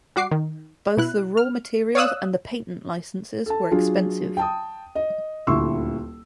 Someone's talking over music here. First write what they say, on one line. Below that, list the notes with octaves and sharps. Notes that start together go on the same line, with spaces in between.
Both the raw materials and the patent licenses were expensive.
G3 F#4 D6 C7
D#3
B2 E4 F#6
F6
C#5 D5 F5 D#6 E6 F#6
A4 A5
F#3 D4 F4 G#4
G5 A5 D#6
D#5
D#1 D2 E4 C6 C#6 E6